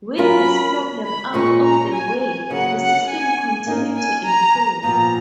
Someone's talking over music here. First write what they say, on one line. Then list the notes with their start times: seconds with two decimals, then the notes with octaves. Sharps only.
With this problem out of the way the system continued to improve.
0.18 F#3 C#4 F4 A#4 B5
1.05 B5
1.34 A#2 G#3 C#4 C#6
1.62 A#5
1.93 G#5
2.21 G#5
2.50 C#3 F#3 A#3 F#5
2.80 F#5
3.09 G#5
3.66 A#3 D#4 A#4
3.96 G#5
4.25 A#5
4.83 A#2 F3 B3 A#5